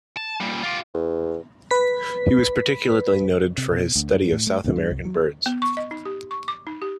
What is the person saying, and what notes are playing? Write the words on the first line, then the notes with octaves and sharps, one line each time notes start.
He was particularly noted for his study of South American birds.
A5
A#2 G3
F4 G4
E2
B4 B6
C3
B2
D2
G2
A2
A3
D2
G2
C2
F#3
B3
C#6
D#5
D#4
G4
C#6
D6
D#4
G4